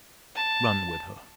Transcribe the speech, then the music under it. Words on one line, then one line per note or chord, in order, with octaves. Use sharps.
Run with her.
A5